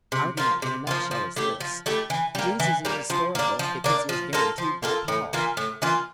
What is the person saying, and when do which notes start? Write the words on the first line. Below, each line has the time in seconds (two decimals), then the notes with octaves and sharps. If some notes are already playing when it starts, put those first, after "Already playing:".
The argument in a nutshell is this: Jesus is historical because he is guaranteed by Paul.
0.12 C3
0.37 F3 A#3 F4
0.62 C3
0.87 F3 A#3 F4
1.11 F3
1.36 A3 E4 G4
1.60 F3
1.86 A3 E4 G4
2.10 E3
2.35 G3 A#3
2.60 E3
2.85 G3 A#3
3.10 F3
3.35 A#3 D4
3.59 F3
3.84 A#3 D4
4.09 F3
4.33 A#3 F4 A4
4.58 F3
4.83 A#3 F4 A4
5.08 A2
5.33 E3 A#3 F4
5.57 A2
5.82 E3 A#3 F4